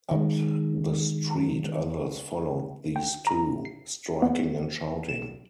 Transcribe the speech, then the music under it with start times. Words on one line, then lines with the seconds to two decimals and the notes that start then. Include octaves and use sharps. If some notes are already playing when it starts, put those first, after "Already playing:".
Up the street others followed these two, striking and shouting.
0.11 D#3 G#3
2.96 G5
3.27 A#5
3.65 C7
4.22 B3
5.09 E7